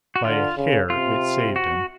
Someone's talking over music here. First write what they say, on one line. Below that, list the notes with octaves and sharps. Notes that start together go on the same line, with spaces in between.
By a hair it saved him.
F#4
D3 F4
C#3
C3 F4
F#4